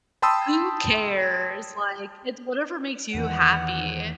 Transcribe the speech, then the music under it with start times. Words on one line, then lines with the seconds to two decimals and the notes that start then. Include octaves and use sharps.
Who cares, like, it's whatever makes you happy.
0.22 G5 A5 B5 C6 D#6 E6
3.14 E2 D#3 E3 F#5